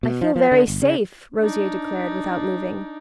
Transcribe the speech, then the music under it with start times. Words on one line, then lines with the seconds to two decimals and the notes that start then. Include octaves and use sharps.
"I feel very safe!" Rosier declared without moving.
0.03 B2
0.21 F3
0.36 F3
0.52 D3
0.68 G1
0.82 C#3
1.40 D4 D#4